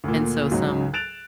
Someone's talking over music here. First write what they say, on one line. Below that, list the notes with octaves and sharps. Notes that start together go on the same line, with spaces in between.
And so some
D2 A#2
C#2 G#2 F#3
F#6 A6 D7 E7 F7